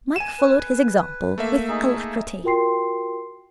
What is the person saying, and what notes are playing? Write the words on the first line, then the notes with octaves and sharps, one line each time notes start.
Mike followed his example with alacrity.
G#5 D#7 E7
B4
A3 A#3 E5
D#4 G#4
F4 F#4 A#4 G5 C6 C7